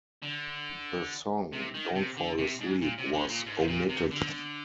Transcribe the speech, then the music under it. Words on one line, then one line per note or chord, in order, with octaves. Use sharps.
The song "Don't Fall Asleep" was omitted.
D3
C3
D#3
C3
D3
C3
G#2
A#2
C3
D3
A#2
G#2
C3
A#2
C3
D3